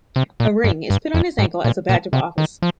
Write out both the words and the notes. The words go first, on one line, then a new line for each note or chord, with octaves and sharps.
A ring is put on his ankle as a badge of office.
C3
A#2
G2
G2
F2
G#2
A#2
A#2
C3
D#3
F3